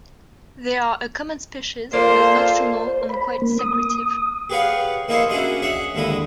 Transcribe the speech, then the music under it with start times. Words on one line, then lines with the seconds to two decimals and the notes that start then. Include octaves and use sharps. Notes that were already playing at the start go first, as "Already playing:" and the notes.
They are a common species, but nocturnal and quite secretive.
1.93 A#3 F4 A4 C5 D5 F5
2.88 C5
3.09 B5
3.42 A#3
3.59 D#6
4.50 G4 G#4 B4 C#5 F5 F#5
5.08 A#3 D#4 E4 G#4 C5 C#5
5.30 C#4 D4 E4 F#4 G#4 D#5
5.62 G#4 C#5 E5 F#5
5.95 D#2 D3 G#3 E4 D#6